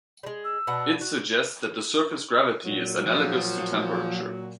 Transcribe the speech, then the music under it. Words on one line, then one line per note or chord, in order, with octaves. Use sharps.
It suggests that the surface gravity is analogous to temperature.
G3 G#3
E6
B2 D4 F#5
F#4
A#2 F#3
F3